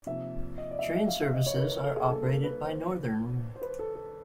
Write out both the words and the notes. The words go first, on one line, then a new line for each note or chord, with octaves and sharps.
Train services are operated by Northern.
C3 F3 A#3 D#4 E5
D#5
D5
E5
D#5
E5
F5
E5
D#5
C#5
A#4
B4
A#4
A4
G#4
D3 G3 A#3 A4
A#4
B4
C5
C5
B4
A4
A4